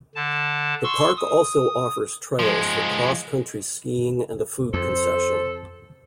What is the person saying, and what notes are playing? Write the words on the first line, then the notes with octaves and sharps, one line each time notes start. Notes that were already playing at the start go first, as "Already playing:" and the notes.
The park also offers trails for cross-country skiing and a food concession.
D3 A5
C6 C#6 E6
D#6
F3 G#3
F2 A4 C5